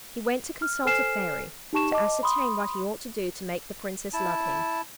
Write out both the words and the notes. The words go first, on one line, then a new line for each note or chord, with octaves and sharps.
He went to consult a fairy, to ascertain what he ought to do to make the Princess love him.
F6
A4 C5 G#5 F6 C7 E7
D#4 G4 A5 C#6 E7
D#5 A5 D6
B5 C6 D#6
E4 A5